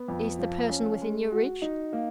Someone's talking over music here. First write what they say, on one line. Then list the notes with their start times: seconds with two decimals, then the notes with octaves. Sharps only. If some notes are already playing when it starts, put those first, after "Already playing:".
"Is the person within your reach?"
Already playing: B3
0.08 F2
0.39 F3
0.70 C#4
1.01 G#3
1.32 F#4
1.62 D#4
1.93 A#3